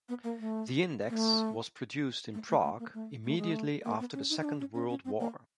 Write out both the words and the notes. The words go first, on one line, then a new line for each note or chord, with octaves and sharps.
The index was produced in Prague immediately after the Second World War.
B3
A#3
A3
A#3
A3
A3
A3
A3
A#3
A3
A3
G#3
A3
A#3
B3
C#4
D#4
D#4
D4
C#4
C#4
C#4
C4
A#3